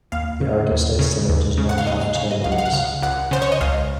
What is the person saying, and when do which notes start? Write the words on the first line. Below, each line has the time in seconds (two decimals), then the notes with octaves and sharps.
The Oregon State Senate does not have term limits.
0.12 D#2 F5
0.41 C#3
0.71 D#2
0.99 C#3
1.29 D#2
1.57 C#3
1.69 F#5
1.78 F5
1.86 D#2 D#5
2.01 F5
2.15 C#3 F5
2.31 D#5
2.44 C#2 F5
2.52 F#5
2.58 F5
2.65 F#5
2.73 C#3 F5
3.02 C#2 F#5
3.31 C#3 C5
3.42 C#5
3.52 D#5
3.61 C#2 F5